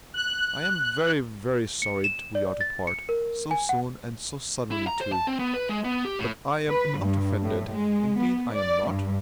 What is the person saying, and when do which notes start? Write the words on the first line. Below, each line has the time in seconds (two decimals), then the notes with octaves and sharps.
I am very, very sorry we are to part--so soon, and so suddenly too; but I am not offended, indeed I am not.
0.14 F#6
1.82 C#7
2.04 E7
2.35 D5
2.61 A6
2.87 C#7
3.09 A#4
3.51 G#5
3.69 F#5
4.71 E4
4.87 A#5
5.01 C5
5.12 A5
5.27 C4
5.39 B3
5.54 B4
5.69 G#3
5.84 B3
6.05 G4
6.19 A2
6.69 B4
6.99 G2
7.43 A2
7.71 G#3
8.18 B3
8.54 D5
8.88 G2